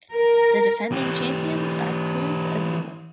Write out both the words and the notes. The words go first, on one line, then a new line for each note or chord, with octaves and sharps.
The defending champions are Cruz Azul.
A#4
E3 G4